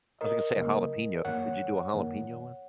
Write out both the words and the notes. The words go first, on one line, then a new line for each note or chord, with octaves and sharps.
I was gonna say, jalapeno did you do a jalapeno one?
A#4 D#5
C#3 F#3 A#3
F#2 D#3 A#3 C#5 F#5
F#2 D#3 A#3